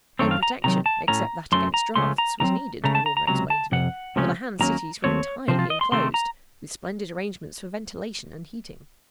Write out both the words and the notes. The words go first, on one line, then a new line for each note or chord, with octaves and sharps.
No protection, except that against drafts, was needed, Wilma explained to me, for the Han cities were entirely enclosed, with splendid arrangements for ventilation and heating.
F#2 D#3 A3 C4 C#5
F5
A#5
C3 D#3 F#3 A#5
A5
A2 A3 C#4 A#5
F#2 D#3 F#3 A3 C#4 C6
A#5
C#2 C#3 F3 A3 C#4 C6
A#5
C#2 C#3 F#3 C4 A#5
C#2 C#3 A3 A#5
A5
A#5
A#5
C#2 C3 F#3 A#5
A5
F2 C3 F#5
C#2 C3 F3 A3 C#4
D#2 D#3 F#3 A#3 C#4 A#5
D#2 C#3 A3 C4 C#5
C3 F3 C4 C5
F4
D#5
C6
C3 D#3 A3 C4 C6
A#5